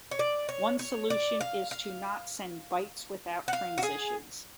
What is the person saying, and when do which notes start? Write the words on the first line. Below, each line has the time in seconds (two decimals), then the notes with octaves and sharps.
One solution is to not send bytes without transitions.
0.11 C#5
0.19 D5
0.49 C#5
0.79 C#5
1.10 D5
1.41 F5
1.71 F5
3.48 F#5
3.53 F5
3.78 F#4
3.83 G#4